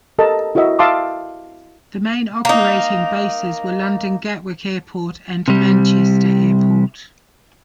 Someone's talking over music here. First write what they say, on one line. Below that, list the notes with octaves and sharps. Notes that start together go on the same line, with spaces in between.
The main operating bases were London Gatwick Airport and Manchester Airport.
G4 A4 A#4 D#5 A5
E4 F#4 A#4 D#5 E5
E5 F5 A5 C6 D6 D#6
A#3 D#4
C3 G3